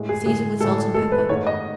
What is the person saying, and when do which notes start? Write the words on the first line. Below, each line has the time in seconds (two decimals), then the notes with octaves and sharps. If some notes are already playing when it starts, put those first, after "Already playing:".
Season with salt and pepper.
Already playing: A2 G#3
0.09 G#4
0.26 A2 G#3 G#4
0.60 A2 G#3 A4
0.94 A2 G#3 A4
1.12 B4
1.29 G#2 D#3 A3 C#5
1.47 D#5